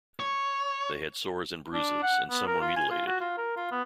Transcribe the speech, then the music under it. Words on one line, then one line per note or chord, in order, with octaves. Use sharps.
They had sores and bruises, and some were mutilated.
C#5
D4
F#5
B3
A#4
F4
G#5
F4
F#4
F4
A#4
F4
B3